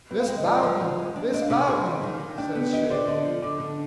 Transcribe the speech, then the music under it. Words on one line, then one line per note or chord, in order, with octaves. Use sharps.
'Mis' Bowden, Mis' Bowden!' says she.
C4 B4
F5
G#3 G5
D#5
F3 D5
D#5
F3
F3
G#3
D4
D4 D#5
F5
C3 D6
C6
G#4 B5
G3
D#3
D#3
D4 G5
B3
G4 D#5
C5 D5
D3 D#5
F3
D3 D6
D3